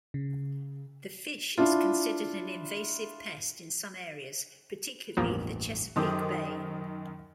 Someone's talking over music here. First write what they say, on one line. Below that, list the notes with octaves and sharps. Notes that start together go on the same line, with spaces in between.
The fish is considered an invasive pest in some areas, particularly the Chesapeake Bay.
C#3
D4 E4 F4
A1 E2 G2 F3 A#3
F#2 D#3 G4 A4 C5 D#6